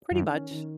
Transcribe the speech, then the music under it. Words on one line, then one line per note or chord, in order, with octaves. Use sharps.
Pretty much.
F#2 D#3
C#4
D#3